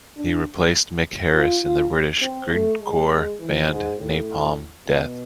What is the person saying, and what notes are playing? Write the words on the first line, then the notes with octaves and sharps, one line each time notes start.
He replaced Mick Harris in the British grindcore band, Napalm Death.
D4
F4
F4
C4
A3
G#3
G#3
E3
G#2
A2
B2